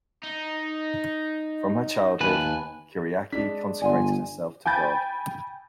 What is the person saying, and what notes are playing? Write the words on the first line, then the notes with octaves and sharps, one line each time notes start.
From her childhood, Kyriaki consecrated herself to God.
D#4
D#2 B4 G#5 A5
G#3 D4 B6
G1 D5 F#5 G#5 C6
G5 G#5 B5 G6 A6